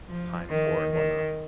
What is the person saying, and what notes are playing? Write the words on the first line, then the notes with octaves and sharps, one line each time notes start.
time for and whatnot.
F3
D#3
D#3